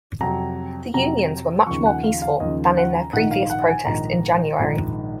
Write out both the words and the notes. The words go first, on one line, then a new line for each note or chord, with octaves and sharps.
The unions were much more peaceful than in their previous protest in January.
F2 C3 F#3 A#5
F2 C3 F#3 A#5
D#2 C#3 F3 C#6
F#5
F5
F5
D#2 C#3 F3 D#5
F#5
A#5
A#1 G#2 D#3 F#5
F5
F#5
F#5
G#5
A#1 G#2 D#3 A#5
A#1 G#2 D#3